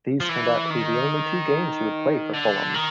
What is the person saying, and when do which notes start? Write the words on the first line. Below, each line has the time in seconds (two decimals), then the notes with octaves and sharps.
These turned out to be the only two games he would play for Fulham.
0.20 F3
0.29 E3
0.70 D#3
2.34 D3
2.74 D#3